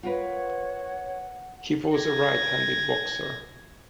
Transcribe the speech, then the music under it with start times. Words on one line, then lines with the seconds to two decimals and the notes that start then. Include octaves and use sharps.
He was a right-handed boxer.
0.03 F4 A#4 B4 C#5 F#5
1.97 G#6 A#6